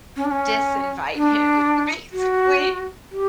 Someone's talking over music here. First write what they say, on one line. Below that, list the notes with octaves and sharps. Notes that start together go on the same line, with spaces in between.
disinvite him, basically."
C#4
D4
C#4
D4
F#4
G4